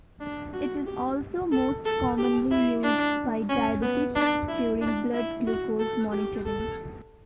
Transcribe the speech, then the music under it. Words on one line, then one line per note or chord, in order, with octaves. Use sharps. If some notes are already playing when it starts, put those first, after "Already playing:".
It is also most commonly used by diabetics during blood glucose monitoring.
D4
F#4
G4
A4
A4
G4
E4
D4
C#4
B3
D4
E4
D4
E4
F#4
A4
G4
A4